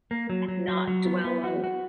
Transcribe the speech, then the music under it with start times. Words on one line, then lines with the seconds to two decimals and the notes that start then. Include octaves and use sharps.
not dwell on
0.11 A#3
0.30 F#3
0.48 F#3
0.68 F#3
0.88 F#3
1.06 B3
1.25 B3
1.44 F#4
1.64 F#4